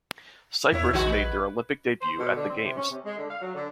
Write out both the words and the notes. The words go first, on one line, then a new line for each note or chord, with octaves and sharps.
Cyprus made their Olympic debut at the games.
E2 A#3 E4 C#5
A#1 D#3 G#3 F#4
B4
C5
B2
D3
C4
C3
C#4
C3
G#3
D3
F5
F#3
D3